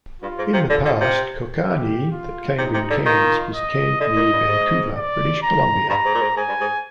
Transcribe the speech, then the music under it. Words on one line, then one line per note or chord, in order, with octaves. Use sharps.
In the past, Kokanee that came in cans was canned near Vancouver, British Columbia.
G2 F4
G#2
C3
D3 F4
D3
C3
G4
F4
C3 D#4
C3
D3
D#3 F4
D#5
D3 D#5
A#2
G2
G#2
D5
A#5
G2 A#5
G#2
A#2
G#2
G#2 G#5
G2
G#2